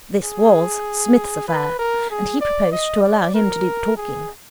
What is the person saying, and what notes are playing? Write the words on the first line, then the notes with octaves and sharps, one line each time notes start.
This was Psmith's affair, and he proposed to allow him to do the talking.
G#4
B4
A#4
G#4
D5
D#5
D5
A#4
G#4